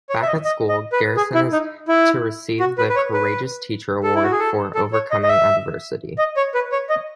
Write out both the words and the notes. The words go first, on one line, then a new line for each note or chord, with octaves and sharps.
Back at school, Garrison is to receive the "Courageous Teacher Award" for overcoming adversity.
C#5
E5
D#5
D#5
D#5
B4
G#4
E4
D#4
E4
F#4
B4
B4
C#5
B4
A4
E4
F#4
G#4
A4
A4
C#5
D#5
D#5
E5
D#5
C#5
B4
C#5
D#5